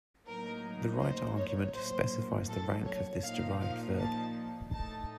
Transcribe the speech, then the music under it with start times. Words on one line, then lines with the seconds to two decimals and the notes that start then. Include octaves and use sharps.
The right argument specifies the rank of this derived verb.
0.25 A2 F#3 A#3 D#4 A#4
0.99 C5
1.36 C#5
1.73 A#1 A2 F#3 A#3 C5
2.48 A4
2.85 C#5
3.22 A#2 F3 A#3 D#4 F5
3.60 F5
3.97 A5
4.71 A2 A3 D#4 A5